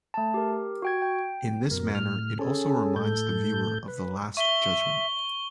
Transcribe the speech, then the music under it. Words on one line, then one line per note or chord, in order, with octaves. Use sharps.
In this manner it also reminds the viewer of the Last Judgment.
A3 A5
G4 A#4
F#4 G5 G#6
G5
F#2 B2 A#4
A2 F6
C#4 G#4 A4
A2 A4 G6
B4
E5 C#6 G7